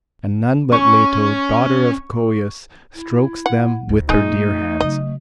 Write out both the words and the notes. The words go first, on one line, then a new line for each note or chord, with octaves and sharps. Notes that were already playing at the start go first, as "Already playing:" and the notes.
And none but Leto, daughter of Coeus, strokes them with her dear hands.
C#4 C#6
E4
F#5
D2
A#2 G#3 A3 D#4
C#3 F#3 D#5